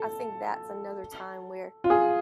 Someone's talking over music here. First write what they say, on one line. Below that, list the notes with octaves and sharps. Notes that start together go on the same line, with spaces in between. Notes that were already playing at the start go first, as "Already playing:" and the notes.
I think that's another time where
Already playing: A4
F4
G#4